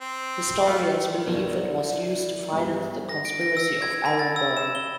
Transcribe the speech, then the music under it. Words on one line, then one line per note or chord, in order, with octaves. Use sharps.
Historians believe it was used to finance the conspiracy of Aaron Burr.
C4
A3 F4
B1 E4 A#4 D5
C#2 G2 B3
A#6
D7
A#6
E6
G#6
B5
A6
E6
E7
G7